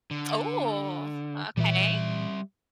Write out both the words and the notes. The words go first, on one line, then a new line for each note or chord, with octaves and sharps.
Ooh, okay.
D3
A#2 E3 G3 E5